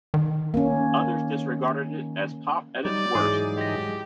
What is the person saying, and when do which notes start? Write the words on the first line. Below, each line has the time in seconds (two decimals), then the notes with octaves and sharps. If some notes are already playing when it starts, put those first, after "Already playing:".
Others disregarded it as "pop at its worst".
0.14 D#3
0.54 A#3 C#4
2.85 F#3 G3 D#4 D5
3.15 G#2 E3 G#3 D#4 G#4
3.57 G#3 G4 A#6